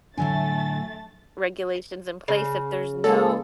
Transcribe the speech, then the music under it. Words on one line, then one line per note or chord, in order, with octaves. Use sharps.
regulations in place if there's no,
A2 D3 F#3 A3 G#5 A6
C#3
G#3 A#3 A4